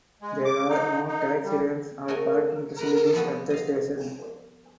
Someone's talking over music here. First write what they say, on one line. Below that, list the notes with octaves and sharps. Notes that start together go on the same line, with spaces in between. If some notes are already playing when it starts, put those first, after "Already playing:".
There are no taxi ranks or parking facilities at the station.
G#3
D6
D#4
D#4
G3
A3 F#4 A#4 C#5 G5 G#5
A#4 B4 F#5
F3 G3 B3 F#4
D#5 F5